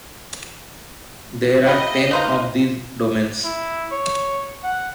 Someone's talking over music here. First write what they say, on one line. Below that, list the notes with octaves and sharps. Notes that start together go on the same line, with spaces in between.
There are ten of these domains.
A#3 B3 E4 D#5 G5
C#3 D#4 B4 C5 F5 A#5
E4
C#5
F#5